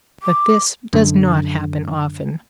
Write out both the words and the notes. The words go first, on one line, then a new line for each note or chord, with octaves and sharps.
But this does not happen often.
D6
F#2 D3